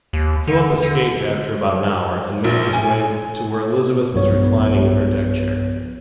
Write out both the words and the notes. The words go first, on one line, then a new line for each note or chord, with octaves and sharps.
Philip escaped after about an hour and made his way to where Elizabeth was reclining in her deck chair.
D#2
D3
D3
A#1
G#5
B1 G2 F3 B3 C#5